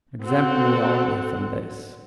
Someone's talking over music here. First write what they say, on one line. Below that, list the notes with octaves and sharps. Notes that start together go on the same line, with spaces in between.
Exempt me only from this!
C4 F#4 A4 F#5